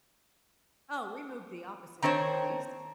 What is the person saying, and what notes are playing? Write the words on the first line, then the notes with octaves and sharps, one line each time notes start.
Oh, we moved the opposite way at least.
D#3 C4 D4 C5 C#5